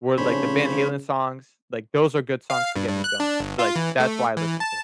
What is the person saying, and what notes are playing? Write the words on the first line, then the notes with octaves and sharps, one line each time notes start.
Word like the Van Halen songs, like, those are good songs to get me going, like, that's why I listen to it.
F1 C#3 C#4 D4 C5 C#5 B5
F5
G2
G2
F#6
D4
G1
F4
E3
A3
E3
A5